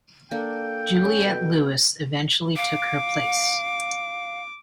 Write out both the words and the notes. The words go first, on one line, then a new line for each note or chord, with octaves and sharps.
Juliette Lewis eventually took her place.
A#3 D4 A4 G5
C#4
B2
F5 D6